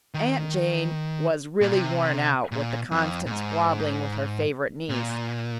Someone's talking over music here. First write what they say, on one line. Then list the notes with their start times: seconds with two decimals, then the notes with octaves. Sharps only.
Aunt Jane was really worn out with the constant squabbling with her favorite niece.
0.14 D#3
1.61 A#2
1.73 C3
2.52 A#2
2.91 F2
3.26 A#2
3.31 G#2
4.89 A#2